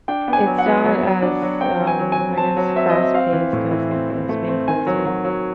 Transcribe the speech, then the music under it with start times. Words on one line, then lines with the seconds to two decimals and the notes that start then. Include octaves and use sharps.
it's not as, um, I guess, fast paced as, like, a spin class or
0.08 D4 G5
0.28 B3
0.33 G#5
0.46 F#3
0.58 F#5
0.66 B3
0.85 F#3
1.04 F#3
1.22 D4
1.42 F#3
1.61 C4 G5
1.80 F#3
1.87 G#5
1.99 F#3
2.12 G#5
2.18 F#3
2.37 C4 A5
2.57 F#3
2.75 C4 E5
2.90 D#5
2.95 C4
3.03 E5
3.14 C4 F5
3.33 E3
3.53 A2
3.71 E3
3.91 C4
4.10 C4
4.29 A3
4.48 C4
4.68 D#3 G#5
4.87 F#3
5.05 F#3
5.25 F#3